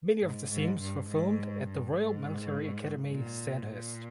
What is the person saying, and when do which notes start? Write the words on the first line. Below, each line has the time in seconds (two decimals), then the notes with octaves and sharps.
Many of the scenes were filmed at the Royal Military Academy Sandhurst.
0.22 G#2
0.50 G#2
0.80 G2
1.09 G#2
1.67 G2
1.96 G#2
3.11 A#2
3.70 A#2